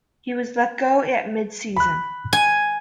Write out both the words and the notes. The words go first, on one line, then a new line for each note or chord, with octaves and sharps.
He was let go at mid season.
B5 F#6
G#5